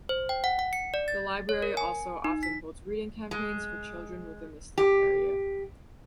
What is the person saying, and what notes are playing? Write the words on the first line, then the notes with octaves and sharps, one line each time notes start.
The library also often holds reading campaigns for children within the slum area.
C5
G5
F#5
F#5
C#7
D5
A6
C#5
A#4
G#5
D#4
B6
G#3
G4